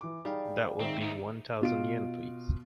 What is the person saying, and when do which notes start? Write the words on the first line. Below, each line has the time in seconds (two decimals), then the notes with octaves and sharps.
That will be one thousand yen please.
0.01 E3 D6
0.25 G3 D#4 G#4 F5 G5
0.80 G#2 D#3 C4 E5
1.01 D#2 D#4
1.61 B2 F4 D7